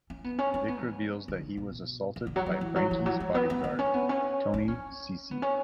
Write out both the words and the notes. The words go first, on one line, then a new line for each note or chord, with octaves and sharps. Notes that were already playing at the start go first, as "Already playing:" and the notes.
Vic reveals that he was assaulted by Frankie's bodyguard, Tony Cicci.
C#4
B3
C#4
C#4
B3
C#3
D3
B2
C#3
D3
F#3
F#3
E3
F#3
E3
F#3
G#3
B3
B3
B3
C#4
B3
C#4
D4
C#4
B3
C#4